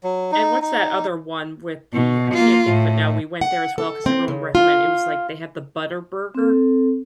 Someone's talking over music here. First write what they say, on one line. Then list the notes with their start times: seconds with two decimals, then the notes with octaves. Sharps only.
And what's that other one with the I can't think of it now, we went there as well ‘cause everyone recommend it was like they have the Butter Burger.
0.04 F#3
0.32 D#4
0.62 D#4
1.94 B2
2.34 A#3 F4
2.68 A2
3.41 F#5
3.78 A4
4.06 C4
4.28 C#3
4.55 F4
6.35 C4 A4